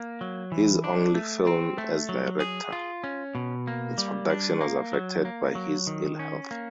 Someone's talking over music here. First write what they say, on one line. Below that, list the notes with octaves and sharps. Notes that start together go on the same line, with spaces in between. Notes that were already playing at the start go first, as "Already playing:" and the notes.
His only film as director, its production was affected by his ill health.
Already playing: A#3
F#3
E3
D4
A3
C4
A3
F#3
G#4
F4
C#4
B2
A#3
G3
D4
A#3
F#3
A#3
F#3
D#3
C#4
A#3